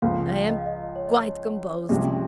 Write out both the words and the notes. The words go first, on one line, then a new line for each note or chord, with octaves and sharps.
"I am--quite composed."
C#2 C#3 F3 F5
D#5
F5
D#5
C#5
D#5
C#5
C2 C3 F3 G#3 C#4